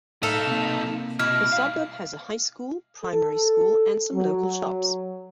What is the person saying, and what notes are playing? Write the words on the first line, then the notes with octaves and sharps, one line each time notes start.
The suburb has a high school, primary school and some local shops.
B1 A2 D#4 A4 E5 F5
C3 A#3
B2 E4 F6
G3 F5
A4
F#3